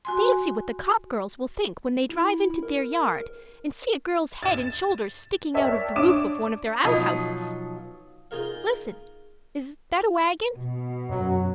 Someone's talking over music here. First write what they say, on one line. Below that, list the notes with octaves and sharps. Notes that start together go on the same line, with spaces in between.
Fancy what the Copp girls will think when they drive into their yard and see a girl's head and shoulders sticking out of the roof of one of their outhouses. Listen . . . is that a wagon?
F#4 G#5 C6
E4
A#4
A6 E7
A#4 C#5 D5 E5 G5 A5
D4 C#5 D6 E7
B2 F3 F#3 D#4 F4
D#4 F4 G#4 A#4 F5
B2
F#2 F#3